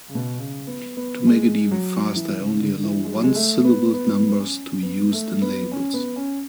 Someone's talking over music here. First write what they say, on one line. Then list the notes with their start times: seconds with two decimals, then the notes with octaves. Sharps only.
To make it even faster, I only allow one-syllable numbers to be used in labels.
0.09 C#3
0.15 B2
0.38 C#3
0.67 B3
0.97 B3
1.27 G#3
1.71 F#3
2.16 E3
2.38 C#3
2.60 D3
2.83 E3
3.04 G#3
3.14 F#3
3.23 G#3
3.35 A3
3.65 B3
3.94 B3
4.29 B3
4.39 C#4
4.83 B3
5.12 A3
5.42 B3
5.72 C#4
5.94 B3
6.16 C#4